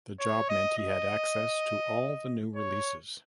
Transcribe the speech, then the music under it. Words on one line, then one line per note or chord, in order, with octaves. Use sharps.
The job meant he had access to all the new releases.
C#5
D#5
D#5
C#5